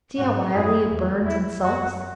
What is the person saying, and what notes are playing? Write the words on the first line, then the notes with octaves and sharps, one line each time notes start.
See how wildly it burns and sulks.
G#2 F#4
F#2 E4 G#4
E2
E2 E4
F#2 F#4